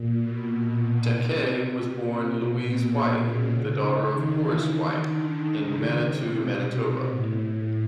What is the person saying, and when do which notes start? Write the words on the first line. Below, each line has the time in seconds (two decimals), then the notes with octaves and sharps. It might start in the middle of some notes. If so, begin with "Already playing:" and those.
Dacquay was born Louise White, the daughter of Horace White, in Manitou, Manitoba.
Already playing: A#2
0.19 B2
1.09 C3
2.28 B2
2.58 A#2
3.18 C#3
4.08 D#3
4.37 E3
4.68 D#3
4.97 D3
5.27 D#3
5.58 C#3
5.87 C3
6.17 B2
6.47 B2
7.06 A2